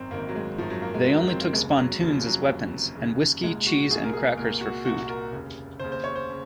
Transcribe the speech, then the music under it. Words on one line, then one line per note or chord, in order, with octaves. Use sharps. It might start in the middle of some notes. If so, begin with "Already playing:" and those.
They only took spontoons as weapons and whiskey, cheese, and crackers for food.
Already playing: G#1 F#2 D#3 C4
G#1 F#2 D#3 A#3
F#3
G#3
G#1 F#2 D#3 F3
F#3
A#3
G#3
G#1 F#2 D#3 F#3
F#3
C4
A#3
F1 D#2 C#3 G#3
F#3
F1 D#2 C#3 F3
F#3
F1 D#2 C#3
F1 D#2 C#3
C2 A#2 G#3
F#4
C2 A#2 G#4
A#4
G#4
C2 A#2 A#4
F#4
C2 A#2 F#4
A#4
F1 D#2 C#3
F1 D#2 C#3 C5
C5
C#5
C5
C#3